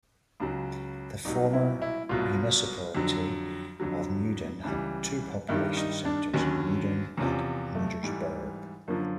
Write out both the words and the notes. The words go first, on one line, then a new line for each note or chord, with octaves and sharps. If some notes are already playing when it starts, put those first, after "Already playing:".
The former municipality of Muiden had two population centers: Muiden and Muiderberg.
C#2 C#3 F#3
C2 A#2 F#3 D#4
E4
E4
C2 B2 F#3 F4
F2 D3 F#3
F2 D3 F#3
C#2 C#3 E3 G3
G2 D#3 G3 E4
D#4
D4
D#2 D3 F#3 C#4
E2 C3 F3 C#4
A3
G#2 E3 G3
F#2 D3 F3 A#3